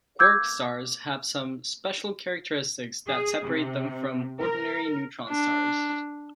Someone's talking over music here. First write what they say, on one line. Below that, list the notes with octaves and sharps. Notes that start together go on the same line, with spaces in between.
Quark stars have some special characteristics that separate them from ordinary neutron stars.
D6 E6 G6 G#6
G#4
C3
A#4
D4